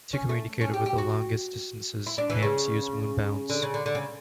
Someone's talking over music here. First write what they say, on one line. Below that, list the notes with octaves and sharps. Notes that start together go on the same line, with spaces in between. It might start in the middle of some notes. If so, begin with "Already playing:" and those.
To communicate over the longest distances, hams use moon bounce.
C#4
A3
C#4
G4
G4
F#4
E4
D4
E3
C#3
D3
C#3
D3
D3
C#3